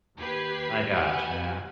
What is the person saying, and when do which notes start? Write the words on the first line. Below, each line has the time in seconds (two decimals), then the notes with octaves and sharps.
I gotcha.
0.17 D#2 G4 B4 G#6 B6 C7
0.87 G4 B4 F#5 G#5